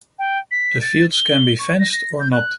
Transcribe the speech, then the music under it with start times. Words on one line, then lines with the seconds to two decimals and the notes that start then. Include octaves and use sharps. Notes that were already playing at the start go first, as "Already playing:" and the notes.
The fields can be fenced or not.
0.19 G5
0.51 B6
0.82 A6
1.12 G7
1.59 C#6
1.79 A#6
1.93 A#6
2.20 G6
2.32 F#6